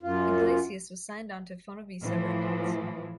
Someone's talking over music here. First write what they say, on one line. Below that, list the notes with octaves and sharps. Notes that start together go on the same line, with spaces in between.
Iglesias was signed on to Fonovisa Records.
F#2 F4
A2 E3 F3